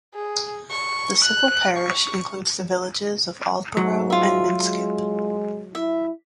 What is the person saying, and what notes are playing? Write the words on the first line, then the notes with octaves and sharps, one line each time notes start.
The civil parish includes the villages of Aldborough and Minskip.
G#4
C#6
F#6
C#6
G#2 F#3
F4 E5
G#3
E4 E5